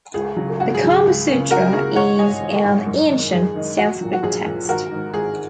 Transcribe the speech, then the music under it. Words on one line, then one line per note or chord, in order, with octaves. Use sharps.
The "Kama Sutra" is an ancient Sanskrit text.
C#2 G#4
C#3 F#3
C#2 F#4
G#4
C#3 F#3
G#4
C#2
C#3 A#3 C#4
C#2 F#4 A#4
C#3 A#3 C#4 G#4
G#1 C#5 F#5
G#2 G#3 D#5 G#5
G#1
G#2 G#3
F#2
D#3 G#3 D#4
F#2 G#4
D#3 G#3 D#4
A#1 F#4
A#2 F#3
F#4
A#1 G#4
A#2 F#3
G#1 F#4 A#4
G#2 D#3
G#1 G#4